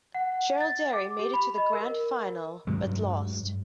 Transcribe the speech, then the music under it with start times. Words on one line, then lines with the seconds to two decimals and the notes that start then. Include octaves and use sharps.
Jerilderie made it to the grand final but lost.
0.15 F#5
0.60 A6
0.93 D6
1.19 G4
1.34 B5
1.58 D#5
1.73 A#4
2.67 G2 F#3 G#3